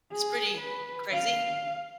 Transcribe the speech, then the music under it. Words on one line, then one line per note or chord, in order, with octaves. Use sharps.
It's pretty crazy?
G#4
B4
F5